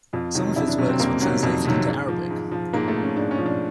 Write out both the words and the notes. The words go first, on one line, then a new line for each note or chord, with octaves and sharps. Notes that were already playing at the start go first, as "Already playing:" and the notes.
Some of his works were translated into Arabic.
F2 F4
C3 D#3 F#3
F2 E4
D4
C3 D#3 F#3 C#4
C4
F2 A#3
C3 D#3 F#3
F2
C3 D#3 F#3
G#2
F3
G#2
F3
G#2 A#3
A3
F3
C#4
G#2 D4
C#4
F3
D4